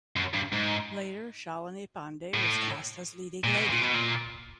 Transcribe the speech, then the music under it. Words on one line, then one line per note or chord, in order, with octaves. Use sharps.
Later Shalini Pandey was cast as leading lady.
F#2
G2
G#2
A2
A#2
B2
A#2
B2
A#2